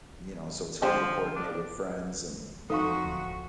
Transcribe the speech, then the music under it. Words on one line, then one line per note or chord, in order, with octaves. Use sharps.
you know, so it's hard to coordinate with friends and,
D3 F3 G4 C5
D4
F2 D#4 F#4 A4 F5 G#5 C#6
D1